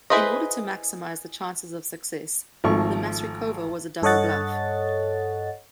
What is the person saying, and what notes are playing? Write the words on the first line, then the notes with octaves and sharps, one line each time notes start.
In order to maximize the chances of success, the maskirovka was a double bluff.
E4 G#4 B4 C5 D#5
G#1 F3 A3 C#6
G2 A4 C#5 D#5 F#5 A6